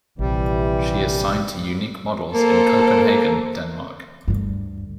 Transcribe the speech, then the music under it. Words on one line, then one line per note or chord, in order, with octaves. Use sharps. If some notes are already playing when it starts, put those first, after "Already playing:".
She is signed to Unique Models in Copenhagen, Denmark.
A#1 C3 E3 G3
A#3 A4 C5
D2 G2